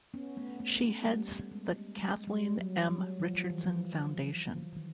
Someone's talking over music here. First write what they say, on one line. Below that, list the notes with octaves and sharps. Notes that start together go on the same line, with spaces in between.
She heads the Kathleen M. Richardson Foundation.
B3 C#4
A3 B3
A3 B3
A3
G3
G#3
G#3
G3
F#3
F#3
F3
E3
D#3